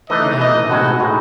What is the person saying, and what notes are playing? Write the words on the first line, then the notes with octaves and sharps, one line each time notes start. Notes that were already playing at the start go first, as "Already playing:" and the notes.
and they're
E3 A3 D#4 D#5
E3 A3 D#4 D#5
A2 G#3 D#4 F#4
A2 G#3 D#4